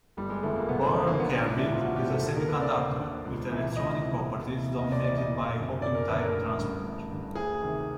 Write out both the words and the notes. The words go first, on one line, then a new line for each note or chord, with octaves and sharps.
Boron carbide is a semiconductor, with electronic properties dominated by hopping-type transport.
G1 G3
G#3
F2 D3 A3
A#3
G1 B3
C4
F2 D3 B3
A#3
A#1 B3
C#4
G#2 E3 D4
E4
A#1 F4
F#4
G#2 E3 G4
A4
D#2 A4
A#4
D3 B4
D5
D#2 C5
D3
C#2
C3 E3
C#2 D#5
C3 E3
D#2
C#3 E3
D#2 D#5
D5
C#3 E3 D5
D#5
F#1
F#2 D3
F#1 D5
A#4
F#2 D3 B4
A#4
A1
G2 D3
A1
G2 D3
D2 G#4
C3 D#3